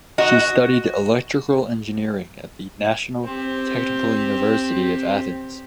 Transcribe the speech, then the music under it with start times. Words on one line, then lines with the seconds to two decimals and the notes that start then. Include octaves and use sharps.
She studied electrical engineering at the National Technical University of Athens.
0.18 F#4 D#5
3.24 C4 G4